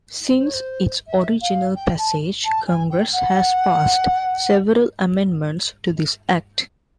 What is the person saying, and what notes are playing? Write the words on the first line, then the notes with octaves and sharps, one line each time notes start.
Since its original passage, Congress has passed several amendments to this act.
C5
C#5
C5
E5
F5
G5
A5
A5
G#5
G5
F#5